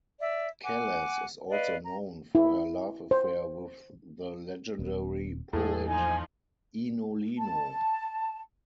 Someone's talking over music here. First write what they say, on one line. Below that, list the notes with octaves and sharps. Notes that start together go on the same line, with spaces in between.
Kallas is also known for her love affair with the legendary poet Eino Leino.
D5 E5
F#5 G#5 D6
B4 D5 D#5 F5
A#5
E4
C5
D#1 B3
E2 A2 A#3 G#4 A4
F3 D#4 G#5
A5